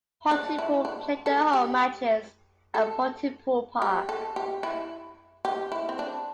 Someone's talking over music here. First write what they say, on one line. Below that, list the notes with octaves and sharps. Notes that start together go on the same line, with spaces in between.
Pontypool play their home matches at Pontypool Park.
D4
E4
D4
A4
G4
A4
G4
A4
G4
E4
G4
E4
C4
D4